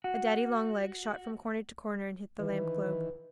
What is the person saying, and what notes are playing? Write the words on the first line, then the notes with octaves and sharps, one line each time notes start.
A daddy-long- legs shot from corner to corner and hit the lamp globe.
F#4
D#3 E3 B4